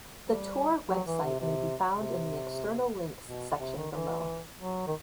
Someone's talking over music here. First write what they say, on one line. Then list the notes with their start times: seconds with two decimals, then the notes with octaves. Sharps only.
The tour website may be found in the external links section below.
0.22 G3
0.89 F#3
1.07 E3
1.24 C3
1.40 C3
1.91 C3
3.25 B2
3.59 C3
3.76 D#3
3.92 E3
4.59 F#3
4.87 D#3